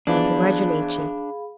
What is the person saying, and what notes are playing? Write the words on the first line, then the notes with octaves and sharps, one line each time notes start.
I congratulate ye.
E3 F3 B3 D4 G#4 F5 B5